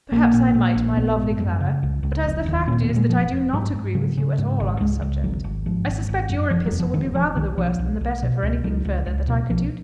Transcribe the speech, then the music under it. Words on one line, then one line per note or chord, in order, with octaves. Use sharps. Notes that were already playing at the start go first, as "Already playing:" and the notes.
"Perhaps I might, my lovely Clara; but as the fact is that I do not agree with you at all on the subject, I suspect your epistle would be rather the worse than the better for any thing further that I could do to it."
A#1 A#3
A#2
A#2
A#1
A#1 B3
G#2
F#2
C#3
C#2
C#2
F1
D#2
A#2 C#4
B3
A#2
G#3
F1 F3
F1
G#2 F#3
G#2
C#3 F#3
C#3
G#2
G#1
C#2 G#3
C#2
G#1 F#3
G#1
G#2 F3
G#1
G#1
F#2
F1 F3
F#3
F2
F3
F1 D#3
F1 F3
B1 D#3
B1 F3
B1
B1
B2
C#2
C#2 F#3
C#2
C#2
B2
B1 F3